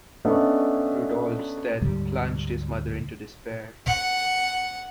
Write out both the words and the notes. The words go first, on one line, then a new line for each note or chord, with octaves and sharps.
Rudolf's death plunged his mother into despair.
A3 B3 C#4 D4 D#5
D2 G#2 G3
F#5